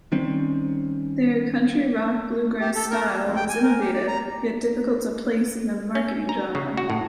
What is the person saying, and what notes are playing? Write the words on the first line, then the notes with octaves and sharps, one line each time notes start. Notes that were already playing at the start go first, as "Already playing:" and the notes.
Their country-rock-bluegrass style was innovative yet difficult to place in a marketing genre.
D#3 G3 C4 C#4
G4
A4
A#4
A#3
F2
G5
G#5
A#4
G4
D5
A#5
C#4
A#5
C#3
F#4
A2